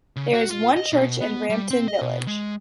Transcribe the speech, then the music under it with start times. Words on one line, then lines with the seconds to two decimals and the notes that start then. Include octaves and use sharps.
There is one church in Rampton village.
0.16 C#3
0.33 F#4
0.51 F4
0.77 D#5
0.93 B2
1.21 B3
1.50 G3
1.71 C4
1.88 D#5
2.01 B2
2.27 G#3